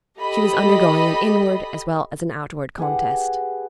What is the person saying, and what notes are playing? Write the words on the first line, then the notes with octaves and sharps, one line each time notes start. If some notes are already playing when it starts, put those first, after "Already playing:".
She was undergoing an inward as well as an outward contest.
G4 A4 D#5 B5
G4 G#4 B4 F#5